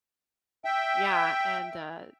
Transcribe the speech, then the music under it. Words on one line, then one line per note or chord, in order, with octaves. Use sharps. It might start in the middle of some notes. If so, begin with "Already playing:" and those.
yeah, and, uh
E5 G5